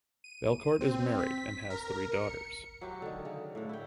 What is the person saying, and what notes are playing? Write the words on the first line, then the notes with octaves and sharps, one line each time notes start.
Belcourt is married and has three daughters.
D#7
C4
B6
A#4
C#7
F#3 E4 F#4 G4
D3 D#3
C#3
A2 D3
E4 G5